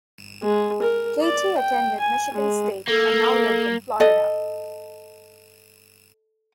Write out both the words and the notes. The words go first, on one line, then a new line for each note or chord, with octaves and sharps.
Katie attended Michigan State and now lives in Florida.
G#3
A#4
D5
G5
G#5
G#3
A#3 A4
A4 D#5